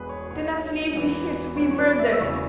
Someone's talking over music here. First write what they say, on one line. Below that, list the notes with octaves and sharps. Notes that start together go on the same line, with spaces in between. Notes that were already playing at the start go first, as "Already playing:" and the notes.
Do not leave me here to be murdered!
Already playing: E1 E2 B2 G#4 B4
C#5
B1 B2 C#5
E1 E2 E3
E1 E2 E3 C#5
C#5
B4
E5
E6
E1 E2 C#3 E3 C#6